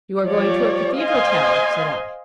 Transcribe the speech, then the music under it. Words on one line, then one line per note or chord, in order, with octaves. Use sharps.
You are going to a Cathedral town?' said I.
F3 G3 C#5 D5
C5 D#5 F5 G#5 C6